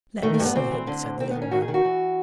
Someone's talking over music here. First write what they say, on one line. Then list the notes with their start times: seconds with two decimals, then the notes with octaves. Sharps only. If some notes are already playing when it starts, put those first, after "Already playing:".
"Let me see him," said the young man.
0.23 D#3 A3
0.34 A3
0.39 G2
0.45 B3
0.56 D2 C4
0.71 E3
0.87 D3
1.03 D2
1.20 D#3 C4
1.31 D#3 B3
1.42 C#4
1.51 D#3 F#4
1.62 G#4
1.68 D#3
1.74 F#4
1.85 E3